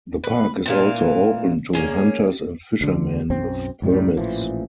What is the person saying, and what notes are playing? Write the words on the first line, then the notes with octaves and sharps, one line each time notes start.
The park is also open to hunters and fishermen with permits.
B4
A#2 E3 F5
A#3 C#4 G#4
D2 D3
B1 F#2 C4
C#2 F#2 A2 G3
A1 A#2 E3 F3